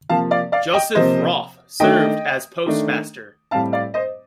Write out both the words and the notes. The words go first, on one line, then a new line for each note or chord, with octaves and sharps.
Joseph Roff served as postmaster.
C3 F3 A#3 F5 A5
D5 F5
D5 F5
D#5 G5
C3 F3 A#3 C5 D#5
D#3 A3 D4 D#5 G5
D#3 A3 D4
A2 G3 C4 F5 A5
D5 F5
C5 D#5